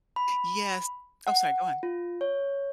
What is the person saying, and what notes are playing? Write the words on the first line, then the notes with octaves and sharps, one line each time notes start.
Yes Oh, sorry. Go on.
B5
F#5
F4
C#5